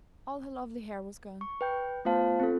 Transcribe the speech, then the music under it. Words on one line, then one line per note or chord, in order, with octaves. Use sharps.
All her lovely hair was gone!
C#6
B4 G5 G6
A3 B3 F4 C5 F5 A5
C4 F4 A4